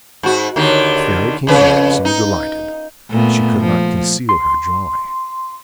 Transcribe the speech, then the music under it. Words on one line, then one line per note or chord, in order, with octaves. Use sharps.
The Fairy came back so delighted that she could not conceal her joy.
G#2 F#4
D#2 D3 D#3
F2 C#3 B4
D#4
A#2 A3 B3
F3
C6